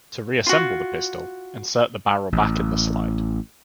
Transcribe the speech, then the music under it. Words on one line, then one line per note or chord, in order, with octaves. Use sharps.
To reassemble the pistol, insert the barrel back in the slide.
F4 F#4
A1